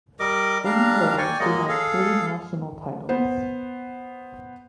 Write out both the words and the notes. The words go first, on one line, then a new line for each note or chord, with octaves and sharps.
In total she has three national titles.
G3 A#4 D#5 D6
G3 D4 F5 A#5
D5 G5 G#5 C#6
F#3 G#3 A#3 D#5
G#4 A4 F5
B3 C5